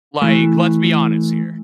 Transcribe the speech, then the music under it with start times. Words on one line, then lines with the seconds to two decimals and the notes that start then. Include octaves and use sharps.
Like, let's be honest here.
0.22 E3 A3